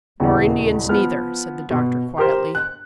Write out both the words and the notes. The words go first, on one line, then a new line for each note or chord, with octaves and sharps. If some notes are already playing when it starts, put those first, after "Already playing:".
"Nor Indians neither," said the doctor quietly.
D#1 E2 C#3 E4 F#4 G5
F3 B3 F6
B2
G4 A#4 C5
F#6